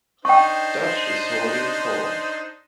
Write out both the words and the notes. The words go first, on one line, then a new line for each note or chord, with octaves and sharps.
Dutch is holding court.
D4 D#4 C5 G5 C#6